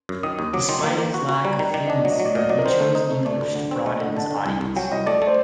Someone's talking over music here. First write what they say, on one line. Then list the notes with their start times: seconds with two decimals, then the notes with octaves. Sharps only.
Despite his lack of fluency, he chose English to broaden his audience.
0.09 F#2
0.23 D#3 D#6
0.39 D#2
0.53 F#3 D6
0.69 D#3 C6
0.84 A#3
0.99 A#3
1.14 F#4
1.29 F#4
1.45 G3 A#5
1.59 D#3 A#5
1.74 D#3 D5
1.87 D4 D#5
1.99 D5
2.05 F#3
2.12 D#5
2.20 F#3
2.25 D5
2.35 A#2 D#5
2.49 F#3 D5
2.58 A#4
2.65 D#3 C5
2.80 A3
2.95 D#4
3.11 A3
3.25 A3 D5
3.41 D2
3.55 D3
3.71 C4
3.85 A3 D#5
4.00 D3 F#5
4.16 D3 A5
4.31 D3
4.46 C2
4.61 C2
4.76 F#3 G5
4.92 C2 D#5
5.06 A3 D5
5.22 A3
5.27 C5